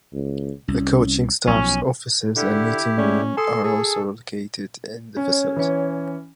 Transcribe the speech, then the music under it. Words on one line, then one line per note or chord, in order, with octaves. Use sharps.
The coaching staff's offices and meeting room are also located in the facility.
C#2
C2 C#4
B1 F3 C#4
D3 E4 G4
A3 C#4 D5
A4 G#5 C6 D#6
G#4 A4
C#4 C#5
E3 C#4